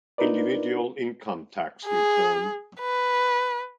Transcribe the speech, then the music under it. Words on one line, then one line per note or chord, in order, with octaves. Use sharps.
Individual Income Tax Return.
D4 D#4 F4 A#4 B4 D5
G#4
B4